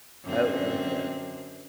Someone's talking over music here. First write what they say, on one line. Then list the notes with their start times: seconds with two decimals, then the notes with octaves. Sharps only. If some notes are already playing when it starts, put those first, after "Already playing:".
Oh, heavens no.
0.23 F#2 D3 C4